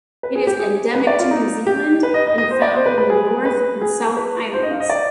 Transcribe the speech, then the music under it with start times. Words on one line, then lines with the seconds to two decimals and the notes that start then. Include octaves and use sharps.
It is endemic to New Zealand and found in the North and South Islands.
0.23 B4
0.35 G#4
0.47 G4
0.59 G#4
0.95 B4
1.07 D5
1.19 F4
1.31 D#4
1.66 G4
2.03 B4
2.14 D#5
2.27 D#5
2.38 D#5
2.51 C5
2.62 D5
2.75 C5
2.86 B4
2.98 B4
3.10 G#4
3.45 B4
3.81 G#4
4.17 B4
4.53 C5
4.63 D#5
4.71 F5
4.80 D#5
4.89 D5